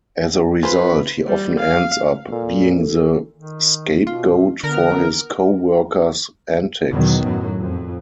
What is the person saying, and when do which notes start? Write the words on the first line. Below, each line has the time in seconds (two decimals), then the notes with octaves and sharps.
As a result, he often ends up being the scapegoat for his coworkers' antics.
0.63 F4 G#4 B4 C5
1.27 G3
1.59 F5
2.31 A#2 A4
3.36 D#3
4.07 B2 F4
4.64 D3 B3 A#4
6.90 E2 B2 D#3 F#3 B3
7.23 F#2 A2 F#3
7.60 F2